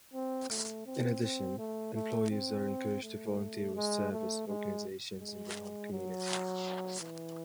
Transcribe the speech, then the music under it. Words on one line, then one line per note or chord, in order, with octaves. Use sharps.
In addition, employees are encouraged to volunteer with service organizations in their home community.
C4
A3
C4
C4
A3
A3
C4
A3
G#3
A3
G#3
G#3
F#3
E3